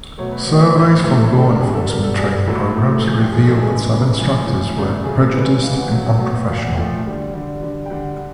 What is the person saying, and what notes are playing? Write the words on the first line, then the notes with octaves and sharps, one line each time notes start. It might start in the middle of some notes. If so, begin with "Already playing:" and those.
Surveys from law enforcement training programs reveal that some instructors were prejudiced and unprofessional.
B2 F#3 A3 C#5
B4
B2 F#3 A3 C5
D5
C#5
A2 F3 A3 C5
B4
A2 F3 A3
A4
D3 G3 G#4
A4
A#4
D3 G3 G#4
A4
B2 G3 A#4
A4
B2 G3 G#4
A4
A2 F#3 A3 A4
A2 F#3 A3
A4
A#2 F3 A3 G#4
G4
A#2 F3 A3 G#4
A4
C#3 E3 G#3 G#4
C#3 E3 G#3
A2 F3 G#3 G#4
A2 F3 G#3
C#3 F#3 A3
C#3 F#3 A3 G#4
A4
C#3 E3 G#3 B4
C#5
C#3 E3 G#3 F5
F#5
B2 F#3 A3 F#5
B2 F#3 A3
A#2 F3 A3 F5
F#5
A#2 F3 A3 G5
D3 G3
D3 G3
D3 G3
G5
D3 G3 F#5